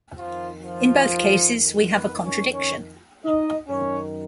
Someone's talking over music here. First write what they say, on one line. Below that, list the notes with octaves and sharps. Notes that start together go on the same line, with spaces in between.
In both cases, we have a contradiction.
F2 D#3 F3 F4
F3 F4
B3 B4
C#4 C#5
C#4 C#5
D#4 D#5
F#2 D#3 C#4 C#5